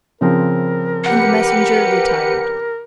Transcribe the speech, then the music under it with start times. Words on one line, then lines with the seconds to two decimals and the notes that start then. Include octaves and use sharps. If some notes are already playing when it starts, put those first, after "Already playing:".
And the messenger retired.
0.21 C#3 F3 C4 A#4
1.04 G4 B4 F#5 C#7